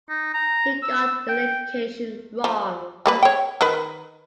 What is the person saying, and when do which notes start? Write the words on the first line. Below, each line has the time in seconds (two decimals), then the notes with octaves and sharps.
He got the location wrong.
0.09 D#4
0.34 A#5
0.83 E6
1.29 G5
2.44 F3
3.06 G3 A#3 B4
3.23 C#5 G5
3.61 D#3 A#4 B4